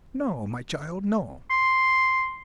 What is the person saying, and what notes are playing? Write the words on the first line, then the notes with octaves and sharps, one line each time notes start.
"No, my child, no!"
C6